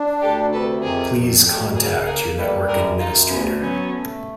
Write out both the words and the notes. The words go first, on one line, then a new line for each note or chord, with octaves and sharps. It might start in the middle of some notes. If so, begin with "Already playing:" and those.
Please contact your network administrator.
Already playing: D4
D2 G4 A4
C3 A4 B4
F2 G#4 A#4
F2
D2 G4 A4
C#3 G#4 A#4
A#3 G#4 A#4
G3 A4 B4
F#2 G#4 A#4
F#2 D#4 F4
D2 B3 C#4
F#3 B3 C#4
A3